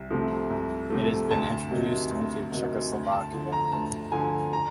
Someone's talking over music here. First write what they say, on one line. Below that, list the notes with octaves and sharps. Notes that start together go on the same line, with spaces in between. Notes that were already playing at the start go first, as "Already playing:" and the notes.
It has been introduced into Czechoslovakia.
Already playing: C2
C3 F3 A3
C2
C3 F3 A3
D2 A5
C3 D#3 F#3
D2
C3 D#3 F#3
D2
A5
D3 F3
A#5
D2 A5
D3 F3 G#5
A#5